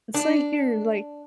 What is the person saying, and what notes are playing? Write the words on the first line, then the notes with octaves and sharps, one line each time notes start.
It's like you're like
D4